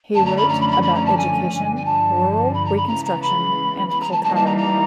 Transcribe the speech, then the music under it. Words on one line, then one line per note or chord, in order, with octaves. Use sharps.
He wrote about education, rural reconstruction and Kolkata.
F#2 D3 F3 A3 C#4 A5
A#5
B5
A#5
B5
A#5
B5
B5
A#5
A5
G#5
G2 D3 F3
G#5
A5
B5
A#5
B5
C#3 E3 G#3 B3 A#5
A#5
B5
B5
A#5
A5
E3 G3 A#3 D#4 A5
A5
A#5
A#5